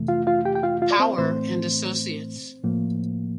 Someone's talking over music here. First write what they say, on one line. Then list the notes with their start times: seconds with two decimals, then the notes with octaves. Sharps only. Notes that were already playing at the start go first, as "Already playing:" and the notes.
Power and Associates.
Already playing: F2 C3 E3 A3
0.08 F4 F5
0.27 F4 F5
0.45 G4 G5
0.55 G5
0.63 F4 F5
0.82 F4 F5
0.91 D5
1.00 C4 C5
1.18 A2 E3 A3 C4 C5
2.64 A2 F3 A#3